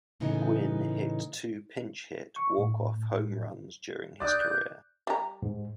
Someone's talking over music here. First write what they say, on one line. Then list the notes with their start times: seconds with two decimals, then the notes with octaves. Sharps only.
Gwynn hit two pinch-hit walk-off home runs during his career.
0.20 A2 C#3 E3 B3 D#4
2.36 C#6
2.58 A2
4.20 D5 D6 D#6 F#6 G6
5.07 G3 A#5
5.42 G#2